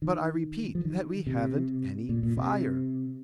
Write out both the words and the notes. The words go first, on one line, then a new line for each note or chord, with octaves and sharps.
"But, I repeat, that we haven't any fire!"
D#3
F3
D#3
C3
A#2
A#2
C3